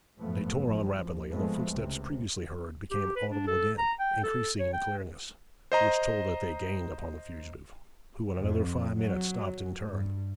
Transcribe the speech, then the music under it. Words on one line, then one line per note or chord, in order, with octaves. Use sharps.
They tore on rapidly, and the footsteps previously heard became audible again, increasing in clearness, which told that they gained upon the fugitive, who in another five minutes stopped and turned.
F#2 A2 F3 A3 B3
G#1 F#2 F3
G#2 F3 G#3 A3 B3 C4
C#2 C3
G4
B4
D4
A4
A#5
G5
A4
C#5
G5
C5 D#5 A#5
F2
F#3
G2